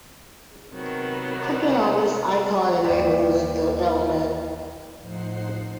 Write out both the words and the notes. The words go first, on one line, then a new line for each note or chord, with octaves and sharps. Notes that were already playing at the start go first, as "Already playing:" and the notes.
Clicking on this icon enables the element.
C3 D#3 F#3 B3
D#2 D#3 G3
A2 F3 D#4 C5 F#5 C7